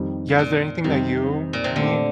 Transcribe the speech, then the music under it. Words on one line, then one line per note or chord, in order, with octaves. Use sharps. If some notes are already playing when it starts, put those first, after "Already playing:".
yeah is there anything that you need
Already playing: F2 D#3 G3
A#2
F2 C3 D#3 G3
A#2
C3
A#2 D3 A3 C4